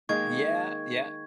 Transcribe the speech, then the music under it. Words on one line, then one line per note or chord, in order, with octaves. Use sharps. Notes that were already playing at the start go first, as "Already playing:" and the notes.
Yeah, yeah,
D#3 G#3 A#3 C#6 G#6